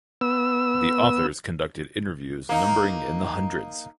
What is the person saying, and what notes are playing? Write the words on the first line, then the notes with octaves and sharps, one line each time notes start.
The authors conducted interviews numbering in the hundreds.
B3 E6
A#3 D#4